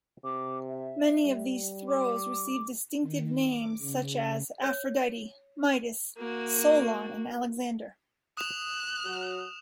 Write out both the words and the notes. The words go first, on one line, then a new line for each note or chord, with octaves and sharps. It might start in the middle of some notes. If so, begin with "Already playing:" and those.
Many of these throws received distinctive names such as: Aphrodite, Midas, Solon, and Alexander.
C3 D6
E5
G3
D6
D#3
D6
C#3
C#5
A#3 F#4
D#6 F#6 E7 F7
F#3 F#4